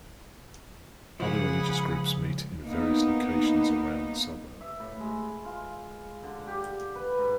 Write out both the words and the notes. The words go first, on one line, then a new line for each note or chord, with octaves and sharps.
Other religious groups meet in various locations around the suburb.
C#3 F3 G#3 G#4 F#5 B5
A#3 B3 D#4
E5
A2
G#3
F4
D3
G4
B4
G#2